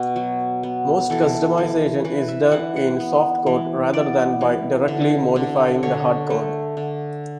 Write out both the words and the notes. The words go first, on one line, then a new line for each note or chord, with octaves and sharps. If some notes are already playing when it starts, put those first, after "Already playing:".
Most customization is done in "softcode" rather than by directly modifying the hardcode.
Already playing: B2 B3
F#3
B3
E3 A4
E3
E3 B4
E5
E3 F#5
F#5
B3
E3
B3 D5
E3
D3
D3
D3 C#5
A3
D3